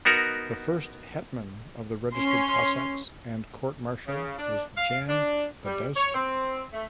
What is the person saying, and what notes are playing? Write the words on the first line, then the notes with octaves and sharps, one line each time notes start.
The first Hetman of the Registered Cossacks and court marshal was Jan Badowski.
B3 D#4 F#4 A#4
C#4 C6
C#3
D4
F5
D4
G3
C#5
C4
A3